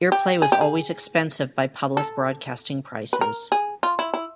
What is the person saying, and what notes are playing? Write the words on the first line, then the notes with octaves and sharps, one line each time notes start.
Earplay was always expensive by public broadcasting prices.
G4
G#4
G4
G#4
A4
B4
A#4
G#4
F4
E4
E4